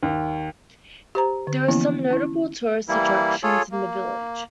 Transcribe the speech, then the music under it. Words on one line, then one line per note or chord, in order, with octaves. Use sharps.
There are some notable tourist attractions in the village.
D#2
G4 C5 A#5
D3
E3 F3 A#3 B3 C#4 E4
C#4 E4
E3 G3 A#3 E4
F4 G#4 A4 C#5
A#3